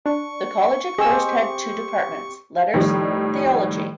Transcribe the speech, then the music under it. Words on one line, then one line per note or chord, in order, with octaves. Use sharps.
The college at first had two Departments: Letters, Theology.
D4 C#6
C4 G4 G#4 D#5 E6
A2 D#3 F3 G3